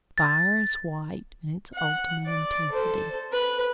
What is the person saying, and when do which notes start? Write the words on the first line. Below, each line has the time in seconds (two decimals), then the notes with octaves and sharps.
Fire is white in its ultimate intensity.
0.18 A6
1.75 F#5
2.27 D5
2.70 A4 C5
3.32 B4